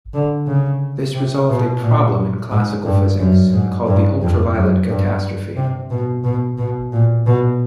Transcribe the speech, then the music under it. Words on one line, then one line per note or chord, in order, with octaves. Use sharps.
This resolved a problem in classical physics, called the ultraviolet catastrophe.
D3
C#3
C3
B2
A#2
G#2
G2
F#2
G#2
G2
F2
F#2
G2
C3
B2
B2
B2
A#2
B2